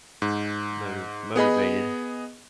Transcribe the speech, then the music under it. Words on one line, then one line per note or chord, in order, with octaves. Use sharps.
moti motivated.
G#2
B3 G#4 D#5 B5